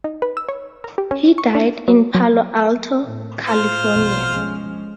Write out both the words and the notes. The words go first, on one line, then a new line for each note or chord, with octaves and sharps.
He died in Palo Alto, California.
D#4
B4
E6
C#5
A#4
G4
C#4
C#6
D4
F#3
F#3
A2
F4 C5 F6
A#1 F2 B2
F3 G#3 C#4